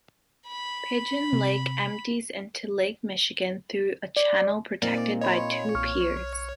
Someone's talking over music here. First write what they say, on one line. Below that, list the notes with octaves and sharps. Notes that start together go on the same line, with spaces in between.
Pigeon Lake empties into Lake Michigan through a channel protected by two piers.
B5
C3
D5
A#2 A#3 C4 D#4 D5
C#5 D#5 B5 C6
B1 C#6 F6